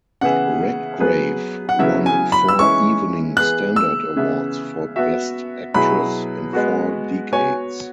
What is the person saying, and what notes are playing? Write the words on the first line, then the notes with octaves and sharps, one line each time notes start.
Redgrave won four Evening Standard Awards for Best Actress in four decades.
C#3 E3 B3 G#4 E5 F#5
F#3 B3 G#4 B4
F#5
C#3 F#3 B3 E4 E5
G#5
B5
E6
E3 G#3 C#4 E4 C#6
E3 B3 G#4 B4 F#6
E6
C#3 E3 B3 G#4 E5
B3 F#4 E5
B2 F#3 E4 G#4 B5
G#3 B3 F#4
B3 F#4 C#5 G#5